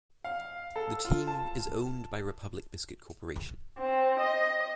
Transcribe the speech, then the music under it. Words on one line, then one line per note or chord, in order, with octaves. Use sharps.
The team is owned by Republic Biscuit Corporation.
F5
A4
F4
A5
C4
D#5